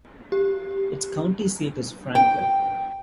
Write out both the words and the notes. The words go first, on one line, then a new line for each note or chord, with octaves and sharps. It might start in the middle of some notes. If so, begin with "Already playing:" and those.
Its county seat is Franklin.
G4
G5